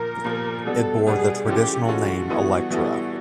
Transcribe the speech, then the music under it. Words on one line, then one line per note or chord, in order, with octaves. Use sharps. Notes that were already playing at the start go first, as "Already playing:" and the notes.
It bore the traditional name "Electra".
Already playing: A#2 F3 A#3 A#4
A#2 F3 A#3
B2 G3 B3 D4 F#4 A4
B2 G3 B3 D4 F#4 G#4
E3 G#3 C#4 F4 G4 A4
E3 G#3 C#4 F4 F#4 A4
E3 G3 B3 E4 A4
E3 G3 B3 E4 A4